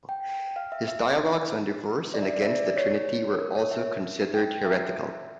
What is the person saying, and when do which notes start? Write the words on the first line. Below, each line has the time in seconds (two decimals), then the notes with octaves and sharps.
His dialogues on divorce and against the Trinity were also considered heretical.
0.09 G5
0.56 F5
0.72 E5
0.88 E5
2.14 D5
2.23 E5
2.33 D5
2.42 E5
2.52 D5
2.77 C#5
3.40 A#4
3.55 C#5
3.71 E5
4.34 G5
4.66 E5